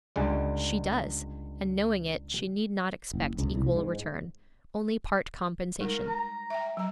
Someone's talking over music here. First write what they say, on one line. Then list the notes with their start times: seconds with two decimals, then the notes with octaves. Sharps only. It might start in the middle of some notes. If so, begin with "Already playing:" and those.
'She does; and knowing it, she need not expect equal return--only part compensation.
0.16 C#2 D3 G3 G#3
3.13 F#1
3.39 C#2
3.54 C2
3.76 G#2
5.81 G3 G#3 D#4 A#4
6.07 A#5
6.50 E5 G5
6.77 F#3 A#5